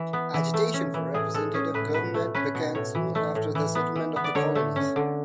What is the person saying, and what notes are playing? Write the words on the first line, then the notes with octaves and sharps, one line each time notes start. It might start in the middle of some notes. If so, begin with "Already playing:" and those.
Agitation for representative government began soon after the settlement of the colonies.
Already playing: E3
B3
E3
A3
C#4
E3
A2 G#4
G#3 A4
C#4 G#4
A2 B4
B2 B4
A3
C#4 B4
B2
A2 C#5
E3
A3
A2
E3
B3
E3
B3
D5
D3 C#5
A3
C#4
D3